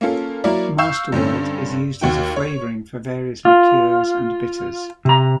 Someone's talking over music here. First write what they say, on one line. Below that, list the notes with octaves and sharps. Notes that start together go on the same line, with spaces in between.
Masterwort is used as a flavouring for various liqueurs and bitters.
A#3 C#4 F4 A4 A#4
F#3 A#3 E4 A#4 D5
F5 C#6 E6 G6 E7
G2 D3 C4 C#4
D#2 F#4 G5
C#5
F4
C3 A#5